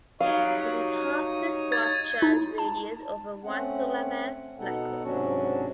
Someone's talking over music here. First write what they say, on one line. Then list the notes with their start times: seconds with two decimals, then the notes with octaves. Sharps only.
This is half the Schwarzschild radius of a one solar mass black hole.
0.20 F#3 G3 D#4 C#5 F5 D#6
1.72 G#6 A6
2.22 D#4
2.58 A5
3.43 A3 C4 C#4 F#5
4.59 B2 B3 D#4 A4 F#5
5.04 G#2 C3 F#3 C#4 D4 F#4